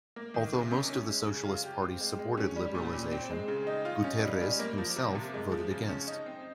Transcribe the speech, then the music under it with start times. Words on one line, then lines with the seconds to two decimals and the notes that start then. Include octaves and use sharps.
Although most of the Socialist Party supported liberalization, Guterres himself voted against.
0.16 A#3
0.34 D#3
0.53 C3
0.71 C#4
0.90 C#4
1.08 G#3
1.27 C#3
1.45 F4
1.64 G4
1.82 C4
2.00 G#3
2.19 G#3
2.37 C#4
2.56 G3
2.75 A#2
2.94 A#2
3.12 C4
3.30 G#3
3.48 C#3
3.67 D#4
3.85 F4
4.04 C#4
4.22 G3
4.41 G3
4.59 A#3
4.78 F3
4.96 C3
5.15 C3
5.34 G#3
5.52 F3
5.71 C#3
5.89 C#4
6.07 D#4
6.26 C4